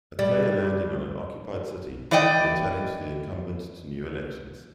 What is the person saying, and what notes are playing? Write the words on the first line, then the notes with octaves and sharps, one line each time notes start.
A player landing on an occupied city may challenge the incumbent to new elections.
G3
E3 D5 D#5 G5